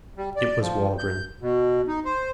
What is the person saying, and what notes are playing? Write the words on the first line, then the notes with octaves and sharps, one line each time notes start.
It was Waldron.
G3
D5
F3
G6
B2
D#4
C5